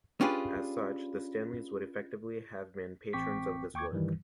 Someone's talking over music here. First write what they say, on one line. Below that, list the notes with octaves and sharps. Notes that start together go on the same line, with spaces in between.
As such, the Stanleys would effectively have been patrons of this work.
C#4 D4 F4 G4 G#4 B4
A1 C4 G5 C#6 D6 B6
D#2 G5 C#6 D6 G#6
G2 D#3 E3 G3